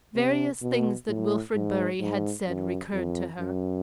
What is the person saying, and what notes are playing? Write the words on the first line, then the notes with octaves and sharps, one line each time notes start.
Various things that Wilfrid Bury had said recurred to her.
C3
B2
A2
G#2
G#2
F#2
F2
F#2